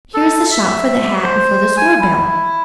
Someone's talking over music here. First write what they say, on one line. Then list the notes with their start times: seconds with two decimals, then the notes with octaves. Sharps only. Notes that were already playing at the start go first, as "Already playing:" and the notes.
"Here is the shop for the hat and for the sword-belt."
0.14 A4
0.51 E5
1.23 C5
1.77 G#5
2.01 E4